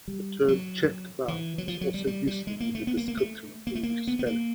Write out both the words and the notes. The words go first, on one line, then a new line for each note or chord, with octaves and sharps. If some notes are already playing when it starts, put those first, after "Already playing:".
The term "checked vowel" is also useful in the description of English spelling.
G3
F#3
E3
F#3
F3
F#3
G3
G3
G3
G#3
A#3
A3
B3
A#3
A#3
A3
A#3
A3
A#3
B3
B3
A#3